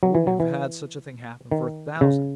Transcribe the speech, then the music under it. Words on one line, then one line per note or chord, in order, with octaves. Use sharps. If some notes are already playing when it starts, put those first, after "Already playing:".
I wouldn't have had such a thing happen for a thousand!
F#3
E3
F#3
E3
D#3
C#3